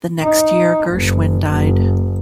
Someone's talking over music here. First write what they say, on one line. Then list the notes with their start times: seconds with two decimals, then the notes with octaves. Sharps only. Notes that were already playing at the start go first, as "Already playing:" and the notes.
The next year Gershwin died.
0.23 D#4
0.91 F#1
1.48 F#1